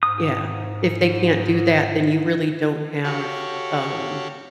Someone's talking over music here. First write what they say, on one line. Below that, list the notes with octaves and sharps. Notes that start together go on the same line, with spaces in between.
Yeah. If they can't do that, then you really don't have, um,
G#2 D#6
F#4 G4 A4 C#5 F5